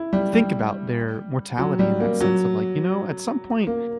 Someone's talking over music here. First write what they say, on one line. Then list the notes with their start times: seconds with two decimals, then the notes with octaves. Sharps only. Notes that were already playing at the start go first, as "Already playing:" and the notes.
think about their mortality in that sense of, like, "You know, at some point,
Already playing: E4
0.13 G3
0.33 G3
1.58 F#3
1.79 G3
2.00 A#3
2.21 F#3
3.67 A#3